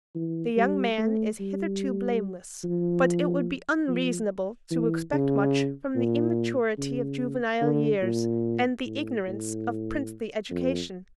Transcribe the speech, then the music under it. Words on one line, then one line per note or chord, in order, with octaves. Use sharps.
The young man is hitherto blameless; but it would be unreasonable to expect much from the immaturity of juvenile years, and the ignorance of princely education.
E3
G3
A3
G3
F3
F3
E3
C#3
A#2
C#3
D3
A#2
A2
A2
F2